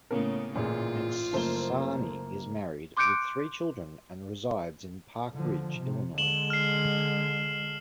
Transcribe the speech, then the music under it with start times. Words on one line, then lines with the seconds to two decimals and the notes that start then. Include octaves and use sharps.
Ansani is married with three children and resides in Park Ridge, Illinois.
0.11 A2 C#3 A#3 B3 C#4 A#4
0.56 A1 A#2 F4 G#4
1.33 F#1 F3 A3 A#3 C5 G7
2.97 C6 D6 F#6 G6 C#7 D7
5.34 D3 F3
5.79 C3
6.18 D3 G#3 E7 F#7 G7
6.50 F6 C7